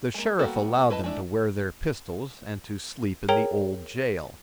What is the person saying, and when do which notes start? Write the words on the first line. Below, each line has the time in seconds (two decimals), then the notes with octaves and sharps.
The Sheriff allowed them to wear their pistols and to sleep in the old jail.
0.14 G#3 A#3
0.39 G3 A#3 B3 F#4 A4
0.90 E4 B4 D#5 A5
1.04 G#3 A3 D4 E4
3.29 G#4 A#4 C#5 G5 A#5